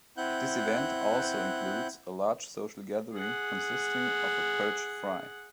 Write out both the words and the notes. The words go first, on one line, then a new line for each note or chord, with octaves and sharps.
This event also includes a large social gathering consisting of a "perch fry".
C4 E4 F#5 F#6 G6
G#4 F#5